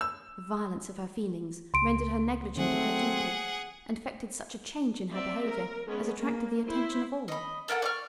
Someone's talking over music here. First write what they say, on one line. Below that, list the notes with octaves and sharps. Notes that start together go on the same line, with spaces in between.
The violence of her feelings rendered her negligent of her duty, and effected such a change in her behaviour as attracted the attention of all.
E6
C#2 C6 D7
D#3 F#3 A3 C4 G#4 F#5
C4 D5 E5
A#4
G#3 B3 C#4 G#4
A#3
E4 C5
D#5 B5
A4 A#4 D5 F#5
D5 C#6 F6